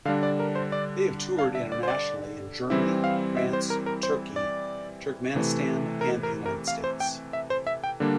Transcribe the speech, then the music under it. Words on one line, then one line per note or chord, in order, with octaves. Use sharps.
They have toured internationally in Germany, France, Turkey, Turkmenistan, and the United States.
D3 G3 D4 F5
D5
A#4
C5
D5
F5
E5
D5
C5
D5
E3 G3 C4 E4 E5
F5
E5
C5
A#4
A#4
C5
D5
C3 E3 A3
A#4
A#4
A#4
F5
C5
G5
E5
C5
E5
G5
D3 G3 A#3 D4